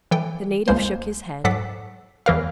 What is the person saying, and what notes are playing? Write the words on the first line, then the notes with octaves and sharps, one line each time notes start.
The native shook his head.
E3 A4 G5 D6
C#2 G#3 A#3 C5
G#2 F#3 A4 F#5 D6 B6
E2 E3 A#4 F5